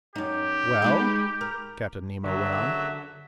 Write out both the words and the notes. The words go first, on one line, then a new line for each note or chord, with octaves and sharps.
"Well?" Captain Nemo went on.
F#2 D#4 G4
G#3 D#4 B4
A#4
F#1 D3 F#3 E5